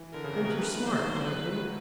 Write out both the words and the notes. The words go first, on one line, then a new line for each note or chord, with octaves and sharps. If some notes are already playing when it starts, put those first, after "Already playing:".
Think you're smart, don't you?
Already playing: E3
D3 A#4
C#3
C3
B2
C3 B4
D3
D#3
F#3 C5
B4